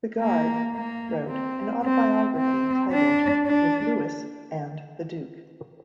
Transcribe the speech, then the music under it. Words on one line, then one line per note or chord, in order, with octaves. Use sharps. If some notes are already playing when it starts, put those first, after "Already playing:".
Bigard wrote an autobiography entitled "With Louis and The Duke".
A#3
A#3
C4
C4
C4
D4
D4